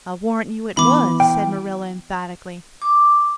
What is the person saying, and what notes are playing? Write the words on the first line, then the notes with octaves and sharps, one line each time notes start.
"I'll warrant you it was," said Marilla emphatically.
E3 B3 B5 D6
G5
D6